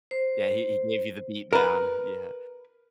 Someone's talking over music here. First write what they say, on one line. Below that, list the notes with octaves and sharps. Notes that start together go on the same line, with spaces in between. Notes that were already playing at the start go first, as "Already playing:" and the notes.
Yeah. Yeah, he he gave you the beat down, yeah.
C5
A#4 B4